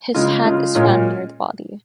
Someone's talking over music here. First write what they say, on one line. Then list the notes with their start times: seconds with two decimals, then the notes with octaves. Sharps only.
His hat is found near the body.
0.14 C#3 G#3 F4
0.45 C#3 G#3 F4
0.75 A#2 G#3 C#4 F4